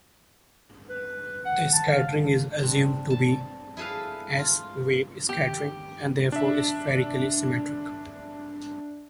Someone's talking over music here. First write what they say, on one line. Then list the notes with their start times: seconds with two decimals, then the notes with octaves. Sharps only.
The scattering is assumed to be "s"-wave scattering, and therefore spherically symmetric.
0.89 B4
1.45 F#5
1.73 A5
1.88 F5
2.59 C4 D4
3.10 A5
3.77 E4 G#4 A4 B4 F5
4.39 F4
5.29 G4
6.32 D4 E5